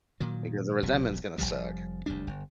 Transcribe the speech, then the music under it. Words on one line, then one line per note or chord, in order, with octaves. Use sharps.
Because the resentment's gonna suck.
A#2 D#3 F#3
E1 B1 B2 F#3
F1 D2 F3 G3
F1 D2 G3 D4
G1